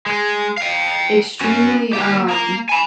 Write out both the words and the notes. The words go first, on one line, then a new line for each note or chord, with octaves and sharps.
extremely um
G#3
F5 G5
C#4 F#4
A#3 G4
A#3 A#5
G#5 B5